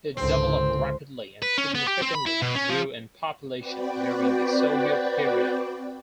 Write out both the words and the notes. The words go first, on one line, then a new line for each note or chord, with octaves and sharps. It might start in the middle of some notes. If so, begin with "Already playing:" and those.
It developed rapidly and significantly grew in population during the Soviet period.
C#2 G#2 D3 C4 C5
B4
C#4
B3
G4
C4
B5
E4
B2
C#4
F3
C4 F#4 B4 D5 G5